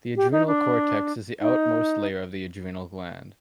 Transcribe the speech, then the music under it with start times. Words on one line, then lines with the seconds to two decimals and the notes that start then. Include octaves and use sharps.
The adrenal cortex is the outermost layer of the adrenal gland.
0.16 G4
0.32 D#4
0.47 D4
1.41 D#4